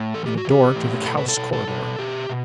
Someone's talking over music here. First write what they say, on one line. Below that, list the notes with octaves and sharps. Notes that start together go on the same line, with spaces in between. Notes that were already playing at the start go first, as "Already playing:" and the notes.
And a door to the house corridor.
Already playing: A2
E3 A4
G4
F#4
E3
G4
A2
B2 A4
B4
A4
B2
A4
B2
B2 G4
B2